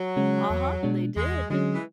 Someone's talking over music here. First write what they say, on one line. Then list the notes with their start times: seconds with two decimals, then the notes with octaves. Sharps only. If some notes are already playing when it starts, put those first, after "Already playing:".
Uh-huh, they did.
Already playing: F#3
0.17 C#3 G#3 C#4
0.50 E2
0.83 B2 G#3 D4
1.16 E2 G#3
1.50 D3 F#3 G#3 C#4
1.75 E3